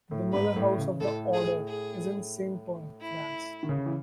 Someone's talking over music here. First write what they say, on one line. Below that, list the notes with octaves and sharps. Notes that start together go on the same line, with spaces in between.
The motherhouse of the order is in Saint-Pern, France.
A2
G#2 B4
A2
C#3
A2 A4
G#4
G#4
E4
D#3
C#3
E3